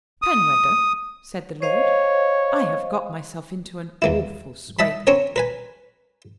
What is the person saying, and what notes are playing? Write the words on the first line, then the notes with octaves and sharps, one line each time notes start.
"Penwether," said the Lord, "I have got myself into an awful scrape."
D#6
C5 C#5 D#5 F5
E2 A#3 E4
D#5 E5 A5 B5
C4 C#4 A#4 C#5
A#4 B4 G#5